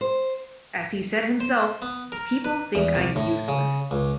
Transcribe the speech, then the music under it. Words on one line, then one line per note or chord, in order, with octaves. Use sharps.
As he said himself: People think I'm useless.
C5
C5
B3
A#4
B4
E2
C2
A2
C#3
C#2